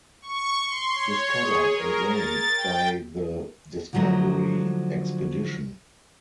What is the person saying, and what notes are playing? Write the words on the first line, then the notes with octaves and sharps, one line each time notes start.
Discovered and named by the Discovery Expedition.
C#6
C6
C#5
G#4
A#4
A6
G5
D3 F3 F#3 A3 D#4